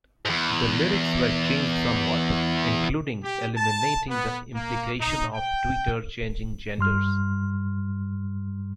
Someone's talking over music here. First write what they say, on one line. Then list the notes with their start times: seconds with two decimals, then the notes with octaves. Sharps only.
The lyrics were changed somewhat, including eliminating the implication of Tweeter changing genders.
0.26 E2 G#2
3.24 G4
3.55 A5
4.08 B3
4.54 A#3
4.99 D#4
5.33 G5
6.78 G2 G3 C6 F6